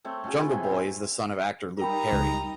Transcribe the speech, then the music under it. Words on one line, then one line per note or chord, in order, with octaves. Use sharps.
Jungle Boy is the son of actor Luke Perry.
A3 C4 C#5
A3 C#4 F#4 G#4
F4 B4 G#5 B5
C3 E4
A#2 C4
G3 D#4 A#4 G5 A#5 B5 D#6
C#2